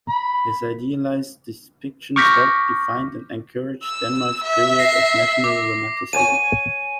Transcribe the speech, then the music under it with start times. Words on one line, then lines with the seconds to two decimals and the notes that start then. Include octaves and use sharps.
His idealised depictions helped define and encourage Denmark's period of national romanticism.
0.09 B5
2.16 C#6 D6 F6 G6 A#6 B6
3.83 E6
4.43 E5
4.79 A#6 C7
5.44 D6
6.13 C#5 G#5 A5 D#7